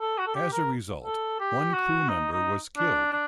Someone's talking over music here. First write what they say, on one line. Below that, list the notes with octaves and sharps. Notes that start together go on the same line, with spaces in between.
As a result, one crew member was killed.
A4
F#4
A4
G4
A#4
A4
G4
F#4
D#4
D#4
D4
D4